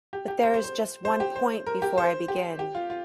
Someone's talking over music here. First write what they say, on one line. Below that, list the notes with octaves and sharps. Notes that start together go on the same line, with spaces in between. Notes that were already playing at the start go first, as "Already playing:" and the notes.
But there is just one point before I begin.
G4
G4
C5
C5
C5
C5
G4
C5
A#4
G4
C5
G4
G4
F4
F4